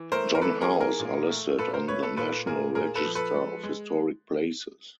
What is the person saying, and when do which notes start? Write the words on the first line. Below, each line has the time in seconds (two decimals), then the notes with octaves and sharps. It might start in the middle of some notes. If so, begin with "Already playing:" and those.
John House are listed on the National Register of Historic Places.
Already playing: E3
0.12 A3 A#4 C5
0.35 A#4
0.41 E3 A4 B4
0.61 G#4 A#4
0.71 E3
0.80 G#4 A#4
1.00 A#2
1.29 A3
1.59 A#2 A4 B4
1.74 A#4 C5
1.88 A3 B4 C#5
2.02 A4 B4
2.17 A#2 A4 B4
2.46 A#2 G#4 A#4
2.75 A#2 G#4 A#4
2.95 A4 B4
3.05 F3
3.15 A4 B4
3.35 G#3
3.63 G#3